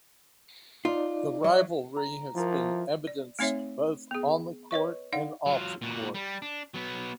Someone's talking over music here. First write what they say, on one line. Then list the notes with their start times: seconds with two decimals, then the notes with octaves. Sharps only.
The rivalry has been evidenced both on the court and off the court.
0.85 D#4 F4 D5
1.44 F#3 D5 E5
1.96 A#5
2.35 F3 E4 A#4
3.07 D5
3.39 A3 C4 D#4 C#5 E5
4.11 B3 G#4
4.71 B4 C#5 D#5 C#6
5.13 D#4 D5 F5 F#5
5.46 F#3 F4
5.82 A#2 F#4
6.15 G3
6.42 D4
6.74 F#3 B3